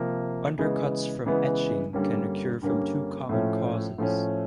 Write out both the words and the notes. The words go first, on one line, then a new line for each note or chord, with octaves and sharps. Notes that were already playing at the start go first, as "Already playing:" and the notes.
Undercuts from etching can occur from two common causes.
Already playing: C3 F3 A#3
C#3 E3 G#3 B3
C#3 E3 G#3 B3
G2 D3 G3 A#3 C#4
G2 D3 G3 A#3 C#4
A2 F3 A3 C#4
A2 F3 A3 C#4